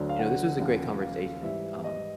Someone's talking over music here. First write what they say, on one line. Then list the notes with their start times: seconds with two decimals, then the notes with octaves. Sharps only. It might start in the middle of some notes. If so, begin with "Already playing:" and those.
you know, this was a great conversation, um,
Already playing: D2 D3 F#3
0.09 F5
0.19 F#5
0.60 D#2 C#3 F3 F#5
1.01 F5
1.43 G#2 E3 G3 E5
1.84 D#5